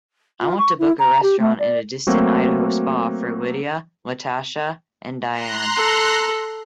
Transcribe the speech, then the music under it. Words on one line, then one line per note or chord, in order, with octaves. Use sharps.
I want to book a restaurant in a distant Idaho spa for lidia, latasha and diann.
F4
C#6
E4
A#5
G4
A3
D5
F#3 A3 A#3 C4 F#4
A#5 C6 F#6
A4